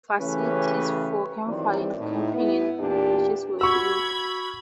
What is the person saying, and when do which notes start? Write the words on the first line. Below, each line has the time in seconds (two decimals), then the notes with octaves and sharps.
Facilities for campfire and camping, and bridges were built.
0.21 C#3 E3 A3 C#4 G4 B4
1.47 G2 D#3 E3 F#3 C4 D5
1.99 A2 D#4
2.34 B3 E4
2.78 E2 A#2 B3 D4 G4
3.61 F#4 B5 C#6 E6 G#6